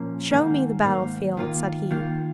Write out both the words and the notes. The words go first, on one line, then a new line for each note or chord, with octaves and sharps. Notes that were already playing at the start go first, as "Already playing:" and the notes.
'Show me the battle-field,' said he.
Already playing: A#2 F3 A#3 C#4
G#2 D#3 A#3
G#2 D#3 A#3
D#3 A#3 F4
D#3 A#3 F4